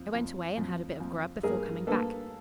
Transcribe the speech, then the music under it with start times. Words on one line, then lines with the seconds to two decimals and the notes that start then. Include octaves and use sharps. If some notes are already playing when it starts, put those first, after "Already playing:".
I went away and had a bit of grub before coming back.
Already playing: F2
0.14 F2
0.57 F2
1.00 F2
1.43 G2 G#4 A#4
1.87 A#3 A4 B4